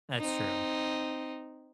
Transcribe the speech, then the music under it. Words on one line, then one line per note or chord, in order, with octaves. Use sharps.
That's true,
C4 D#4